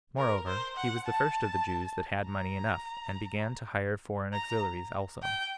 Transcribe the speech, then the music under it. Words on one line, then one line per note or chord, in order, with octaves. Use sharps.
Moreover, he was the first of the Jews that had money enough, and began to hire foreign auxiliaries also.
A#4
C5
F#5
A5
A#5
A#5
G5